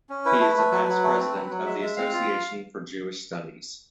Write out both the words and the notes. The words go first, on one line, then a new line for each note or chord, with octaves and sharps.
He is a past president of the Association for Jewish Studies.
C#4
E4 B4
A3
A3
F#3
F#3
A3
C4
F#3
F#3
G#3 E5
G#3 E5
C4 F5
F4